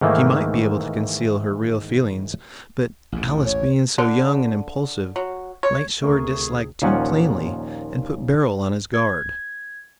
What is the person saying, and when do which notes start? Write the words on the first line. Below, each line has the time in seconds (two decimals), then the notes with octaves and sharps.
She might be able to conceal her real feelings, but Alice being so young and impulsive might show her dislike too plainly and put Beryl on his guard.
0.01 G#2 D#3 E3 A3 A#3
3.12 A1 D#2 G#2
3.45 C#5
3.98 D3
5.16 F#3
5.63 C#5
6.03 D2 C3 A3 G#4 A#4 C#6
6.82 D#2 A#2 F3 C#4 F#5
8.94 G#6